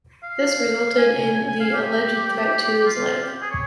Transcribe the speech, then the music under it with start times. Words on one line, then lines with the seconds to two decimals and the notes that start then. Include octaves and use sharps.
This resulted in the alleged threat to his life.
0.23 F5
0.98 G#5
1.36 G#5
1.48 G#5
1.60 F5
1.73 G4
2.86 F4
3.23 G4
3.42 G#4
3.51 C#5